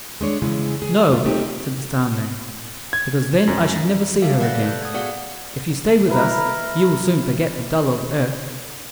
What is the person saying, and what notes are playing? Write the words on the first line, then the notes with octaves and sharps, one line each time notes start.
"No," said the Star-man, "because then I should never see her again. If you stay with us you will soon forget the dull old earth."
G#3 D4 C#5
C#3 E3 G#3
G#4
A3 F4
A3 C4 D#4 G4
G#6
F#2
G4 A4 E5 F5
B4 D5 F#5 F#6 A6 A#6
A4 D5
A4 F#6 G6
D#6 G#6
B3 F#4 G#4 D5 F5 F#5
E4 A#4 B4